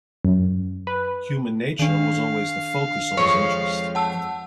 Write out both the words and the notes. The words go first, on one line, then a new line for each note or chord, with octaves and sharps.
Human nature was always the focus of his interest.
F#2
B4
D#3 D4 F5
F2 F3 G#3 C#5
F#5 A5 E6